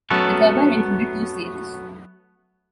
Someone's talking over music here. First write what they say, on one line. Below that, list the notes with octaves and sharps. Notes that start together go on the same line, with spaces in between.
The turbine included two stages.
F#3 A3 B3 C#4 A4